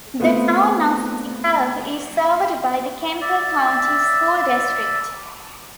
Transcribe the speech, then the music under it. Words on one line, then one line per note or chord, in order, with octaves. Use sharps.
The Town of De Kalb is served by the Kemper County School District.
A3 B3 C4 F4 B4
D5 E5